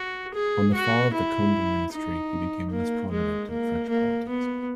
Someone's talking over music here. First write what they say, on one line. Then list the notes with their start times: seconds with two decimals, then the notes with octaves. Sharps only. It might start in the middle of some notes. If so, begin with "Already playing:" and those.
On the fall of the Combes ministry he became less prominent in French politics.
Already playing: F#4
0.34 G#4
0.74 F#4
1.13 E4
1.92 D#4
2.71 A#3
3.11 G#3
3.50 A#3
3.89 A#3
4.29 B3